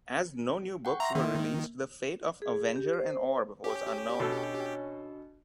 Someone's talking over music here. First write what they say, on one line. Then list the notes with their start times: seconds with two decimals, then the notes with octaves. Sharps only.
As no new books were released, the fate of Avenger and Orb was unknown.
0.85 F#5 G5 C#6
1.00 E5 A#5 C6
1.15 D#3 A#3
2.42 G#4
2.76 G4
2.93 C5
3.64 C#4 G4
4.20 B2 D4 F#4 A4 D#5